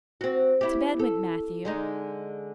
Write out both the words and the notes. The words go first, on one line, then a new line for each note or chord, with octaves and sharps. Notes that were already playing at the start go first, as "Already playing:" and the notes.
To bed went Matthew.
C4 F#4
E4 G4
A4
D3 G#3 D#4